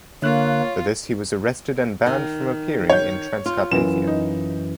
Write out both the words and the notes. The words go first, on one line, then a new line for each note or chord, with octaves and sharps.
For this he was arrested and banned from appearing in Transcarpathia.
D3 A#3 F4 C#5 F#6
D#3
C#5 G6
F4
F#2 E3 E7
D#4